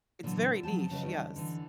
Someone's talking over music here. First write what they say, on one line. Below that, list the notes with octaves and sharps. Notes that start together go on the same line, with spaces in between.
It's very niche, yes.
A#2 D3 E3 F#3
F3 F#3 G5 A5
C#3 B4 D#5
D#3 G3
D3 E3